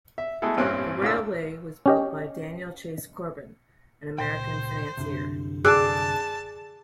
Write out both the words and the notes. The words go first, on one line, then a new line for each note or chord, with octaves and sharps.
The railway was built by Daniel Chase Corbin, an American financier.
E5
G#3 A3 B3 E4 G#4 A4
A1 G2 A#2 C4 C#4 F#6
C#2 A2 D4 F4 A#4 E6
C#4 G4 D#5
C#2 A#2 C5 G5
C2 F#2 D3
G#4 D5 A5 E6 F#6